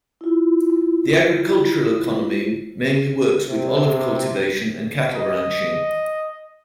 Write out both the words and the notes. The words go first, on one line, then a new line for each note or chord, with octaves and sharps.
The agricultural economy mainly works with olive cultivation and cattle ranching.
E4 F4
C3
D#5